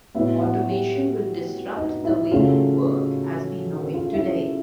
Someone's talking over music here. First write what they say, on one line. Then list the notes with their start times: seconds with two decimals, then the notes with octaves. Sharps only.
Automation will disrupt the way we work as we know it today.
0.14 A2 F#3 B3 E4 E5
0.42 F#4 F#5
0.69 G4 G5
1.77 D#4 D#5
2.04 E4 E5
2.31 C#3 F#3 A3 F4 F5
3.94 F4 F5
4.13 E4 E5